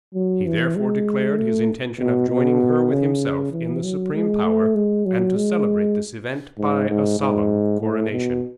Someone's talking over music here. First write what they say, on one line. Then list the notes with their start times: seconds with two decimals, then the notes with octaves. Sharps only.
He therefore declared his intention of joining her with himself in the supreme power, and to celebrate this event by a solemn coronation.
0.14 F#3
0.46 E3
0.76 G#3
1.37 A3
1.98 B2
2.29 B2
2.91 C#3
3.51 E3
3.83 F#3
4.13 G#3
4.44 A3
4.75 G#3
5.05 F#3
5.35 G#3
6.58 G#2
6.89 G#2
7.19 G#2
7.81 A2
8.11 B2